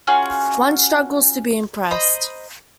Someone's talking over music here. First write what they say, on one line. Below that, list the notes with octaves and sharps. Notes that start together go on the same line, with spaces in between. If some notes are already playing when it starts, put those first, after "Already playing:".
One struggles to be impressed.
C#4 F4 F#4 G#4
C5 D#5 A#5 B5